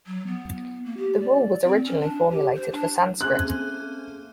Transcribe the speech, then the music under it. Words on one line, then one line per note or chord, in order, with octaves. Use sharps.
The rule was originally formulated for Sanskrit.
F#3
B3
A#3
G4
D5
C4
C#4
D4
G4
C5
D4
A3 A#3 C4 C#4 G#4 F#6